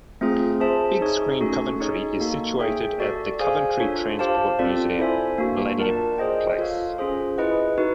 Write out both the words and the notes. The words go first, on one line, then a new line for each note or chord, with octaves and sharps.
Big Screen Coventry is situated at the Coventry Transport Museum, Millennium Place.
A3 C4 F4 G#4
G#4 C5 E5 A5
D#4 G#4 C#5
A3 C#4 F#4 A4
D#4 G#4 C#5
A#3 D#4 F#4 A4
G#4 C#5 E5 G5
F#4 A4 D5
G#4 C5 F5 G#5
D4 F4 A4 C#5
G4 C5 F5 A5
C4 F4 A4 D5
E4 A4 C5 E5 G#5
A#3 D4 F#4
F4 A#4 D5 F#5 A5
G#4 C5 D#5 G5
F4 A4 C#5 F5
C#4 F4 G#4 C5
E4 G#4 B4 D#5 F#5
D#4 F#4 B4